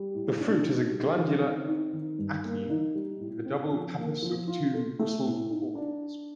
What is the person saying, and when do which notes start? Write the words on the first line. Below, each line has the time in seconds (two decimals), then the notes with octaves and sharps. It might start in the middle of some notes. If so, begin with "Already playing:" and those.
The fruit is a glandular achene with a double pappus of two bristled whorls.
Already playing: G3
0.15 A2
0.40 D4
0.65 D#4
0.91 G3
1.16 D#3
1.42 C4
1.67 D#4
1.93 D#3
2.19 G2
2.44 A#3
2.70 D#4
2.95 G3
3.20 A2
3.46 C4
3.71 F3
3.97 A#3
4.22 F3
4.48 F4
4.74 A4
4.99 A3
5.25 A2
5.50 D#4
5.75 D4